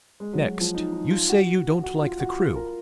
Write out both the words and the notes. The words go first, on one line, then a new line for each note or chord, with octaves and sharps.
Next, you say you don't like the crew.
G#3
F#3
F#3
F3
D#4
D#4
F4
F#4
F#4
F4
F#4
F4
A#4